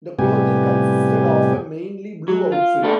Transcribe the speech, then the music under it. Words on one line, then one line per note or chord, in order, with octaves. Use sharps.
The clothing consisted of a mainly blue outfit.
A2 C3 G3 B3 G4 G#5
F#3
F4
B2 A3 B3 D4 A4